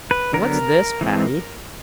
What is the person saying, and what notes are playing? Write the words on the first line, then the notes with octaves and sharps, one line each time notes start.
"What's this, Patty?"
B4
D3 F#3 B3 A#4
E3 G#3 C4